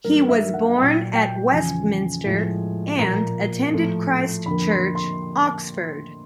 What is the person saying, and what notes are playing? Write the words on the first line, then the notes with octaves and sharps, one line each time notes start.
He was born at Westminster and attended Christ Church, Oxford.
G2 D#3 F#3 A3 A#4
E5
F#5
A#2 F#3 A#3 G5
G5
E2 C#3 F3 G#5
A2 F3 G#3
A#2 F3 A#3 A#5
A2 F3 A3
F2 D3 F3 A#3 B5
C6
C6